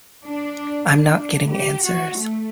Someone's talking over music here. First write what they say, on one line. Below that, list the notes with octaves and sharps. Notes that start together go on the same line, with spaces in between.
I'm not getting answers.
D4
D4
G4
F#4
A3